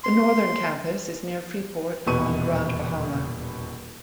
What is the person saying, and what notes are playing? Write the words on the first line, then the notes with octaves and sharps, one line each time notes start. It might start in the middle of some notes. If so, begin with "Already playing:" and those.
The Northern Campus is near Freeport on Grand Bahama.
C6
D#1 E2 B2 B4 C#6 D#7